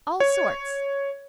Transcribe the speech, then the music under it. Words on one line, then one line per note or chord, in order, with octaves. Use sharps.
All sorts.
C#5